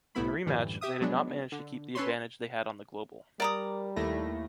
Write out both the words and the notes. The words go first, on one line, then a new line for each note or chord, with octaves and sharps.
In the rematch, they did not manage to keep the advantage they had on the global.
C2 A2 A3 B3 E4 B5
F#2 A2 D3 E3 G3
G4 E5 D#6
F3 F#3 G#3 B3 D4
D3
C#4 A4 B4 C#5 B5 C6
G3 A#4 D5 A#5 D#6
D#2 A3 E4 A#6